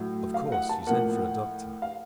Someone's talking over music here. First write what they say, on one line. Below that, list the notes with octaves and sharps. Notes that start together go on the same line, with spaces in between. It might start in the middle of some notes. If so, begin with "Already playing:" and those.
"Of course you sent for a doctor?"
Already playing: A2 F#3 A3
F5
F#5
A5
A2 F3 A#3 F#5
F5